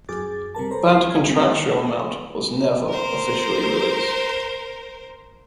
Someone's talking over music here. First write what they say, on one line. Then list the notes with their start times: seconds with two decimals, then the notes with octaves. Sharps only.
That contractual amount was never officially released.
0.09 F#2 G#4 D6 A6
0.55 C3 G3 A#4 A5
0.71 A4 B4 C5 A#5
0.92 C2 E3 C7
1.10 G#1 G#6
1.27 G3 C4
2.88 A#4 C5